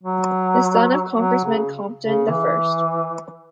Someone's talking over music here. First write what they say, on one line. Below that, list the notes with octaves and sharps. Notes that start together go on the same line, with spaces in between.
The son of Congressman Compton the First.
F#3
F#3
C#3
C#3
E3